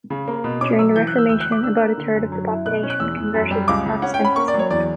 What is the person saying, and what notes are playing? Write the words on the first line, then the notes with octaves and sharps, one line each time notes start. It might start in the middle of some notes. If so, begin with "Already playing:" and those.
During the Reformation, about a third of the population converted to Protestantism.
C#3
A#3
B2
C#4 D6
F#3 E6
E3 G6
F#6
E3
E6
D2 E6
F#6
D2 D6
D4 E6
A#3
D3
F#2
F#3
E4
B2 F#6
C#4
F#6
E2 E6
E2
F#2
G3
C#2 D6
C#3
C#4 F#5
G5
C#4
B5
A#3 C#6
D5
F#3
C#5
E2 D5